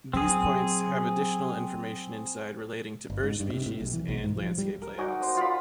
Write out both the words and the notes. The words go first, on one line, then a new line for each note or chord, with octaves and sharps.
These points have additional information inside relating to bird species and landscape layouts.
A#2 F#3 C4 G#4
G1
G#2
G2
C3
A2
B1
E3
B1
G#2
F3
G3
A#4
D#4 F#4 D5 G#5
C5 D#6
F4 D5 B5